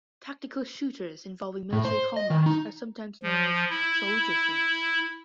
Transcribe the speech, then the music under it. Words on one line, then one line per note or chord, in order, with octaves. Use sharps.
Tactical shooters involving military combat are sometimes known as "soldier sims".
A2
C5
D#5
D#3
D#4
F3
E4